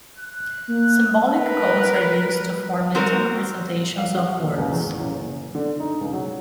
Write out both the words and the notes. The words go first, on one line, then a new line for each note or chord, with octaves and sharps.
Symbolic codes are used to form mental representations of words.
F#6
A#3
A#4 B4
C4 F#4 A#4
F5
F#4
D#1
C#2
E2
F#2
F#1
D3
D#4
C#2
F#3